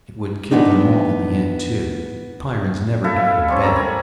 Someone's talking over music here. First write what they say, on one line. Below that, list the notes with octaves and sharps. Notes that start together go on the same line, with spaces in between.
It would kill them all in the end, too. Pyrrans never died in bed.
E3 G#3 B3 D4 D#4
E4 A4 E5 F5
G3 C4 C#4
A4 A#4 D5 A#5
G#5 B5